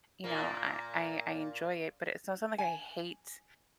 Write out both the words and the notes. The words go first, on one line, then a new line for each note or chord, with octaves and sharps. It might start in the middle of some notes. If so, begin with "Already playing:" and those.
you know, I I I enjoy it, but it's not like I hate,
A#2 A#3
G#5